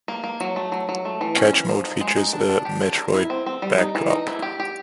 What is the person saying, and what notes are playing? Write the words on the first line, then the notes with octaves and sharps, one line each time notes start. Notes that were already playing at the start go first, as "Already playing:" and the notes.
Catch mode features a "Metroid" backdrop.
A#3
A#3
F#3
A3
F#3
F#3
A3
E3
C#4
E3
F3
D#4
G#3
D#4
D4
D4
G4
D4
A#4
E4
C4
C4
G3
D#4
E3
D#4
E4
G4
G4